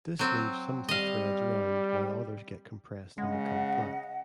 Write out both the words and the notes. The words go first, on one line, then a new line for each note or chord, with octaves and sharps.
This leaves some of the threads round while others get compressed and become flat.
F#3 C4
G3 D#5 F5
C#3 G#3 D#5 F#5